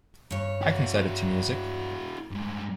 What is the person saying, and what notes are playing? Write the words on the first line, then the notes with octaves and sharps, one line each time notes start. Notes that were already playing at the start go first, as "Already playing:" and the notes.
I can set it to music.
G2 C#5
E4 F#4
G2 G#3